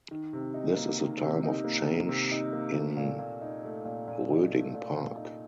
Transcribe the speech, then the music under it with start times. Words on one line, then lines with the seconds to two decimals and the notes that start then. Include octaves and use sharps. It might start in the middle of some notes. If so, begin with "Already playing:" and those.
This is a time of change in Roeding Park.
0.11 D#3
0.33 C3
0.54 D#4
0.77 A#3
0.99 D#3
1.22 C3
1.43 D#4
1.65 A#3
1.87 D#3
2.09 C3
2.31 D#4
2.53 A#3
2.76 A3
2.97 A#2
3.19 A#2
3.41 D#4
3.64 A3
3.85 A#2
4.08 A#2
4.30 D#4
4.52 A3
4.74 A#2
4.95 A#2
5.17 D#4